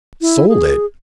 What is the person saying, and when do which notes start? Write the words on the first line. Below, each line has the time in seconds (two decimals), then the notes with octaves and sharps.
Sold it!
0.21 E4
0.49 G#4